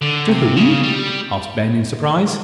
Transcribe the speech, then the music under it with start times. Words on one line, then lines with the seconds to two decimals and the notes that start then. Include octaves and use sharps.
"To whom?" asked Ben, in surprise.
0.02 D3
0.29 C3
0.56 C#3
0.83 G3